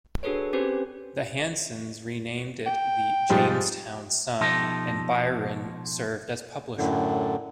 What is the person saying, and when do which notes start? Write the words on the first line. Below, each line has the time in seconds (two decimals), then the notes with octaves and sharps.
The Hansens renamed it the "Jamestown Sun", and Byron served as publisher.
0.23 D4 F#4 G#4 A4 B4 C#5
0.53 C4 C#4 G4 B4 C5
2.67 G5
3.30 G#2 F3 G3
4.41 B2 F3 D#4 G4 A4
6.78 F#2 A2 D3